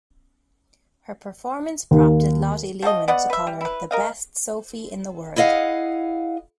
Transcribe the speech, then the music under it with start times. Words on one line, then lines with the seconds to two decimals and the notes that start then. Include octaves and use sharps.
Her performance prompted Lotte Lehmann to call her 'the best Sophie in the world'.
1.91 D#2
2.82 F3 F#4 A4 D#5
3.08 B3 D5 D#5 F#5
3.30 B4 E5
3.47 G3
3.61 E4 B4
3.91 A#4 D#5 F5
5.36 E4 G#4 D#5 F5 F#5